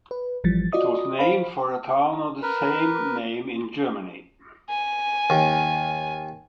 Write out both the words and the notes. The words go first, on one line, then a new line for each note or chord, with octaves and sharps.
It was named for a town of the same name in Germany.
B4
G#1 E3 F3 G3 A6
F4 F#4 D5 D#5 D#6
C5 F5 B5
A#4 B4
G#5
D#2